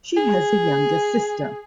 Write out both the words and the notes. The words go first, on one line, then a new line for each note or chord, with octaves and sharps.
She has a younger sister.
G#4